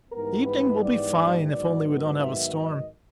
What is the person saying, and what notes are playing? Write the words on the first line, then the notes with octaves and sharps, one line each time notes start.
The evening will be fine, if only we don't have a storm.
G#2 E3 G3 B3 A#4
B4
D5
G#2 D#3 F#3 B3 D5
E5
D#5